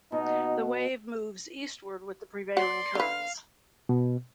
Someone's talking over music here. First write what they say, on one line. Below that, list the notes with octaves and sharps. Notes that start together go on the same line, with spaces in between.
The wave moves eastward with the prevailing currents.
B2 D#4
F#4 C#5 D5 F#5 C6
D3 B4 F5
B2